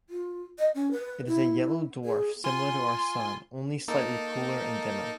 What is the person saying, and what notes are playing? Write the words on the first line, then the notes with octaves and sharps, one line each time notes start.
It is a yellow dwarf similar to our Sun, only slightly cooler and dimmer.
F4
D#5
C#4
B4
E4
G#4
F4 G#5 C6
A#3 D#4 A4